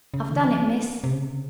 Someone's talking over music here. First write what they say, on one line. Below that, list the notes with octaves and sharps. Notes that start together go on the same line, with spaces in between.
'I've done it, miss.
C#3
D#3
F3
C3
C#3